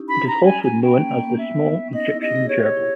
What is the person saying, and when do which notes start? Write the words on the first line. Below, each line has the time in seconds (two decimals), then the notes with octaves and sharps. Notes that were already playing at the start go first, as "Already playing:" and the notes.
It is also known as the small Egyptian gerbil.
Already playing: C#4 D#4 E4 G4
0.09 B5
0.27 A#5
0.45 G#5
0.64 G#5
0.83 C#4 G5
0.96 A#3
1.11 A#3
1.24 B3
1.38 E5
1.88 C#4
1.93 D#4 D#5
2.08 E4
2.21 G4 D#5
2.36 G#4
2.49 G4 C#5
2.63 E4
2.77 E4